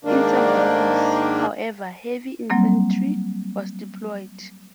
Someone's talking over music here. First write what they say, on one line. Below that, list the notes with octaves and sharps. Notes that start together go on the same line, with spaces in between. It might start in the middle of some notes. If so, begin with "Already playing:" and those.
In some battles, however, heavy infantry was deployed.
G#2 D#3 A#3 D4
F#3 G3 A#3 C4